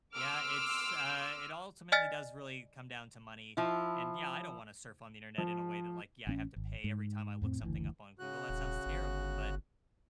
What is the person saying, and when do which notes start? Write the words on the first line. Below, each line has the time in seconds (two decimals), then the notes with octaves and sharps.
Yeah, it's, uh it ultimately does really come down to money, and, yeah, I don't wanna surf on the Internet in a way that, like, yeah, I have to pay every time I look something up on Google, that sounds terrible, but,
0.16 C6 D6 E6 F6
1.92 D5 D#5 G#5 F6 A6 B6
3.57 F3 E4
5.38 F3
6.27 A1 C4 C#4
6.56 G#1
6.84 G#2
7.42 F2 A2 B3 C4
7.61 F#1 D2 E3
8.19 C#3 F#4 F#6
8.49 D#1
8.86 G1